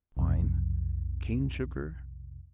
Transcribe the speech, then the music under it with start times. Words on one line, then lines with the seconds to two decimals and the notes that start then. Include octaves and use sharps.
Wine. Cane sugar.
0.17 B1 F2 C3